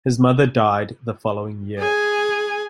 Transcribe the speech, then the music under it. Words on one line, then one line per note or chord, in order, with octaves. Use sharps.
His mother died the following year.
G#4 G#5